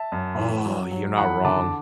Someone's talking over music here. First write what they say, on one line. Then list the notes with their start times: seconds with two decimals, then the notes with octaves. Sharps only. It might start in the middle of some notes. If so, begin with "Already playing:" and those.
Oh, you're not wrong.
Already playing: E5 A5
0.12 F#2
0.38 E3
0.66 F#3
0.91 F#3
1.17 E2 F#5 B5
1.45 D3 A5 D6